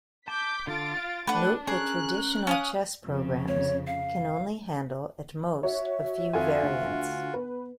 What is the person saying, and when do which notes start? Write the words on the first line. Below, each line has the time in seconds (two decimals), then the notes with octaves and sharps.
Note that traditional chess programs can only handle, at most, a few variants.
0.28 A5 D6 G6 B6
0.67 D3 F4 A4 A6 D7
0.97 F5
1.27 A3 D4 G4 B4 F#5
1.67 C#4 G#4 A#4 C#5 F#6
2.47 C#4 F5 D#6
3.07 F2 C#3
3.48 C#5
3.87 F5
5.63 F#4 C#5 E5
6.33 F2 F4 F#4 A4 G#5
6.63 D2
7.34 B3 B4